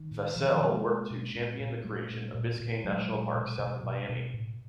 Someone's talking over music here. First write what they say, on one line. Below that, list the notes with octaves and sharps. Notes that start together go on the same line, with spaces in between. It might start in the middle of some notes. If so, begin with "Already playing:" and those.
Fascell worked to champion the creation of Biscayne National Park, south of Miami.
Already playing: D#3
A2
B2 D#3 F3
D#3 F3
B2 B3
G#3 A#3
B2
B2
A#2
A#2
A#2 G3 A3
A#2
A#2
A#2
A#2 F#3 G#3
A#2
B2
B2
B2
B2
A2